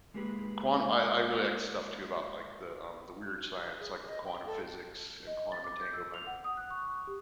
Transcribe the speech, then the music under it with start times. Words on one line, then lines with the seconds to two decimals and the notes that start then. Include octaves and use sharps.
uh uh quantum, I I really like stuff too about, like, the, um, the weird science, like, the quantum physics and quantum entanglement.
0.14 G#3 A#3 G4 G#4 B4
3.80 G#4
4.07 D#5
4.25 G5
4.46 A4
5.27 D#5
5.52 A6
5.64 D6
5.81 G6
5.93 E6
6.14 F7
6.27 F#5
6.44 D#6
6.57 F#6
6.70 C#6
7.07 G4